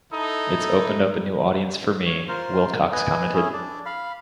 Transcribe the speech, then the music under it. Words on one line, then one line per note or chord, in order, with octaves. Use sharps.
It's opened up a new audience for me, Willcox commented.
D#4 E4 A4
C#5
F4 A#4 C5
B4 D#5 G#5
C#4 E4 G#4
D4 D5
F5 B5